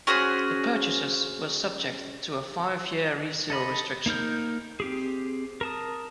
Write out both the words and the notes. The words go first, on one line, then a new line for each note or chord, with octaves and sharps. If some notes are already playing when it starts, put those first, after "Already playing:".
The purchases were subject to a five-year resale restriction.
C#4 F#4 G#4 C5
A4 D#5 B5
A#3 D#4 A#4 G6
C4 G4 G#4
A#4 A5 D#6